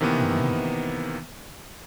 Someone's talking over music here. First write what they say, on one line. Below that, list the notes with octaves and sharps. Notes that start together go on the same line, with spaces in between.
Oh man.
C3 D#3 E3 A#3 B3